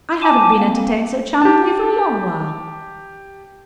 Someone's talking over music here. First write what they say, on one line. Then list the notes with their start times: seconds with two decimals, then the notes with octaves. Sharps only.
I haven't been entertained so charmingly for a long while.
0.22 G#5 A5 D6
0.59 A#3 C4
1.42 G4 A5